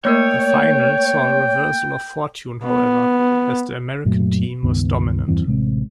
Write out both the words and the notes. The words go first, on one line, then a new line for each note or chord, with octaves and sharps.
The final saw a reversal of fortune, however, as the American team was dominant.
A3 A#3 A#4 C#5 G5
B3
F#2 A#2 F#3 A3
C#2 G2 D#3 B3
E2 G2 E3 C4
A1 C3 G#3 C4